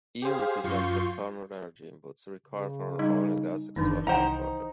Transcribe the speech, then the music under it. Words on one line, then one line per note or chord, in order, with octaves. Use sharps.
E represents external energy inputs required for an oil and gas extraction project.
G4 G#4 C5 F5
F#2 F4 C6 C#6 G6
C#3
G3 D#4
F#1 D#3 E3 D4 D#4
C2 D#4 E4 C5 F#5 G5 A#5